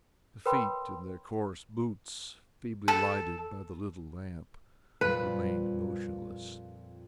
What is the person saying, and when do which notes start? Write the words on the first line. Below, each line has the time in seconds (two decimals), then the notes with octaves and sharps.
The feet in their coarse boots, feebly lighted by the little lamp, remained motionless.
0.46 A#4 B4 C#5 G5 B5 C6
2.88 A4
5.01 F2 A#2 G3 B4